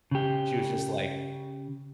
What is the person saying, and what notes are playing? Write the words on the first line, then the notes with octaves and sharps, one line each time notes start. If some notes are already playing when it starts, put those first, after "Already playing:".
She was just, like
C#3 G4